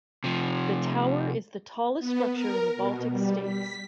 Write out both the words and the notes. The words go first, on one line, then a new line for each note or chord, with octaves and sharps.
The tower is the tallest structure in the Baltic states.
C3 F3
B3
A#4
B2
G3
B6